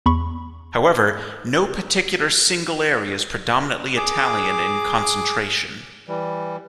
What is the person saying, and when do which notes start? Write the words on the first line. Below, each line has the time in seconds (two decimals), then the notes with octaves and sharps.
However, no particular single area is predominantly Italian in concentration.
0.06 E2 B5 C#6
3.96 G#4 D6
6.08 E3 G3